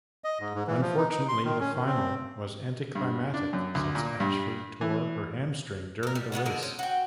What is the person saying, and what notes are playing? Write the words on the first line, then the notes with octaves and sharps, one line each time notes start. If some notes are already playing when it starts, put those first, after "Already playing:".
Unfortunately, the final was anticlimactic since Ashford tore her hamstring during the race.
D#5
G#2
G#2
E3
F3
D#4
D#4
C6
D#3
C#4
D#3
C4
G2
D4
F#2
D2
A#2
G2
E3
A4 A#4
G3
B2 G#3 A#3 B3
D3 G#3 D4 A#4
C#4 C5
F#4 G5